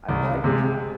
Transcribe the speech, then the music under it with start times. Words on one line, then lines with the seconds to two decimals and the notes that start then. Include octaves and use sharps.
I like that.
0.09 C2
0.44 C3 G#3